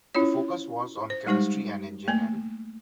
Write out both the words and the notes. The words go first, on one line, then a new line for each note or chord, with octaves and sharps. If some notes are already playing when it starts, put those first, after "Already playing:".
The focus was on chemistry and engineering.
C#4 E4 F4 C#5
C5
G3 G#3 D#4 G4 C5
A3 A#3 G#5